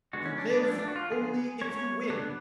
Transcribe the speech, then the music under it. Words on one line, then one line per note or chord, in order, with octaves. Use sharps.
You live only if you win!
D3 G#3 B3 F#4
C#4
D4
D4
F3 A3 C#4 D4
D4
F#4
F4
D3 F3 B3 G#4
F#3 A3 C#4 C#5
F#3 B3 D4